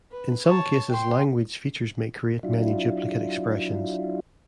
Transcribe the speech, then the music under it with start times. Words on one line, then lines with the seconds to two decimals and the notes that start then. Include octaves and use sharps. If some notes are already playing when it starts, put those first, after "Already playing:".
In some cases language features may create many duplicate expressions.
0.11 B4
0.46 C#5 A5
0.89 G5 C6
2.43 F#3 D4 E4 F4